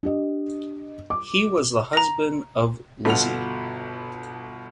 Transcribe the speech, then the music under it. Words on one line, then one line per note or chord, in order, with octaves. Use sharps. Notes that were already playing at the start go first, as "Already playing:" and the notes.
He was the husband of Lizzie.
D4 G4 D#5
D6
A#5 A#6
G1 B2 F4 A4 F#5 F7